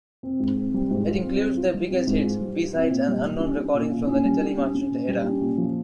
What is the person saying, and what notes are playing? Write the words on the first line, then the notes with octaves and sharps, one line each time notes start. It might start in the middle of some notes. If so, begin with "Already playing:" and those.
It includes their biggest hits, B-sides and unknown recordings from the Natalie Merchant era.
C4
G#2
C4
G3
G#2
F4
C4
G3
F4
G3
C4
G#2
F4
G3
F4
C4
A#2
G3
G3
C#4
C#4
A#2
A#2
C#4
G3
C#4
C#4
C#4
A#2
G3
C#4
A#2
F3